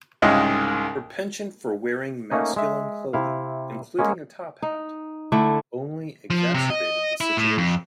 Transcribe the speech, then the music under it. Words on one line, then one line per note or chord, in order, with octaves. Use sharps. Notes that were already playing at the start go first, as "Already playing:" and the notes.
Her penchant for wearing masculine clothing, including a top hat, only exacerbated the situation.
C2 G#2 C#3 G#3 F4 D#5
A3 A#3 C#4 D#4
G#3 E5
C3 E4 F5
G#3 A#3 C#4
D#4
D3 A3 E4
F3
C3
D#5
E4
A2
F2